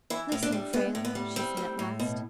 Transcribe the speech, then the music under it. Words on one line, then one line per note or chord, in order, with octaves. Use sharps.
"Listen, Frale," she said at last.
E3 E4
A2
D4
G3
A2 B3
A2
B3
G3
G3 C4
A2
A2
B2